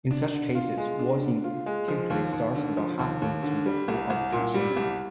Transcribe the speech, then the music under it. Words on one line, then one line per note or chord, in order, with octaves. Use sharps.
In such cases, voicing typically starts about halfway through the hold of the consonant.
D4
D3
F4
G#3
D4
D3
F4
G#3
F3
D#2
D#2
D3
F3
D#2
D#2
D3
G3
C2
C2
A#2
G3
C2